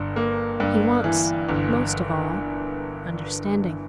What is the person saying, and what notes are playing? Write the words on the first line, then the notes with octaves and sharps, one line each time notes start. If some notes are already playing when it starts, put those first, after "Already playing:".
He wants, most of all, understanding.
Already playing: G1 G2
A#3
G2
E3
G1